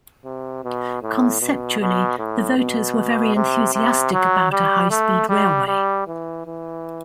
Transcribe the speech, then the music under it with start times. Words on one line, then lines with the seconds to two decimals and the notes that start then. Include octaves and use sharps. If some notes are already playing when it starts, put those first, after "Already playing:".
Conceptually, the voters were very enthusiastic about a high speed railway.
0.25 C3
0.63 B2
1.02 A2
1.41 B2
1.80 B2
2.18 A2
2.58 B2
3.35 C3
3.74 C3
4.13 F#3
4.51 G3
4.90 A3
5.29 G3
5.68 G3
6.07 E3
6.46 E3